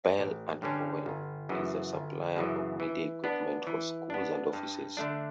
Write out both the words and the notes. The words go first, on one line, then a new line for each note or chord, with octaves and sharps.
Bell and Howell is a supplier of media equipment for schools and offices.
A1
G2 D3 G3 C#4
G1
F#2 C#3 E3
G1
F#2 C#3 E3
E3
B3 D4
E3
B3 D4
G2
D3 A3 D4